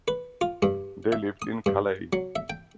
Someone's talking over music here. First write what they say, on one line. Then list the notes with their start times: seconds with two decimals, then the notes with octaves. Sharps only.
They lived in Calais.
0.08 B4
0.41 F4
0.63 G2
1.12 E5
1.42 D#6
1.66 G2
2.13 F#3
2.36 E5
2.50 G5